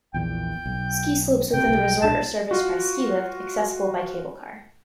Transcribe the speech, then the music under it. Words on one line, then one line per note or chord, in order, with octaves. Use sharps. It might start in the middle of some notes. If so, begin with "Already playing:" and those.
Ski slopes within the resort are serviced by ski lift, accessible by cable car.
A#1 E2 A#2 G5
B1
C3 G5
B1 G3
B1 A#2 D4 A5
F4 F#4